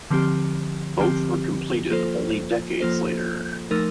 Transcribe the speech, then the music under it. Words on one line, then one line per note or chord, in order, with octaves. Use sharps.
Both were completed only decades later.
D3 F3 C4 G4
D3 F3 C4 G4
F3 A#3 F4 A4 C5
F3 A#3 F4 A4 C5
F3 A3 D#4 A#4